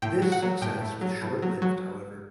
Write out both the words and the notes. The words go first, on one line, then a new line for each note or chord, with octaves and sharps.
This success was short-lived, however.
A2 G5
F#3
F#5
F#3
A2 G5
A2
F#3
A2
F#3
F#3